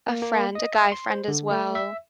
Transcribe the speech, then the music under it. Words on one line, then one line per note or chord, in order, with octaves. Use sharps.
a friend a guy friend as well
A#3
A#3
D#5
E5
C6
C5
D3
A3
E5